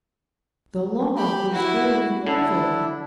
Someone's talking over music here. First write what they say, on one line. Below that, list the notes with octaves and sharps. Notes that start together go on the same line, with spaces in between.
The log was rolling over!
G4 B5
E4 F#4
D3 D4 E4